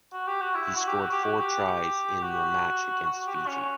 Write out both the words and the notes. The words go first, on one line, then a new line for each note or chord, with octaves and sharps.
He scored four tries in the match against Fiji.
F#4
G4
F#4
E4
F#4
G4
F#4
G4
F#4
G4
F#4
F#4
G4
F#4
C#4